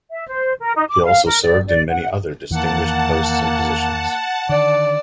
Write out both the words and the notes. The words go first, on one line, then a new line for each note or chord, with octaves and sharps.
He also served in many other distinguished posts and positions.
E5
C5
A#4
D#4
D6
F5
A#4
D5
D5
F#5
E2 D#3 E3 A#3 F#5 A5
D3 D#3 D5